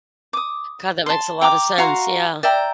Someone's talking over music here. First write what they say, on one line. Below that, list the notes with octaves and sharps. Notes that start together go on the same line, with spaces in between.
God, that makes a lottta sense, yeah.
D6 D#6
A5 C6
G5 A#5 D6
F#4 F5 A#5 C6
D5 E5 G5 A#5